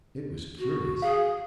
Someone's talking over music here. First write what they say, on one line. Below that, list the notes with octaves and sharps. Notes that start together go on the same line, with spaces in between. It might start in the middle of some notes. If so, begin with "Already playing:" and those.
It was curious.
F#4
G#4 F5